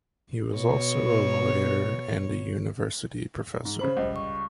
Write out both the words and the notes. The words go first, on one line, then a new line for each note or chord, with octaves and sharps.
He was also a lawyer and a university professor.
B2 C#5
G#2
C#3 C5 B5 F#7
C#2 G3
C#6